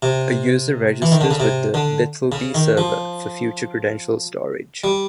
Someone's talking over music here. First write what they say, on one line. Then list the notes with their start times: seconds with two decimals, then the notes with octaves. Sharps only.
A user registers with the BitlBee server for future credentials storage.
0.02 C3
1.02 E3
1.12 D#3
1.21 D3
1.31 C#3
1.40 C3
1.74 D3
2.32 C#3
2.55 D#3
2.77 F3
4.84 G3